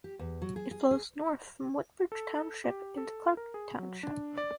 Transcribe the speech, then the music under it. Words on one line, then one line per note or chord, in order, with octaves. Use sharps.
It flows north from Woodbridge Township into Clark Township.
G4
E2
F#3
G#4
G#4
G#4
A4
G4
A4
A#4
G#4
F#3
D4
D5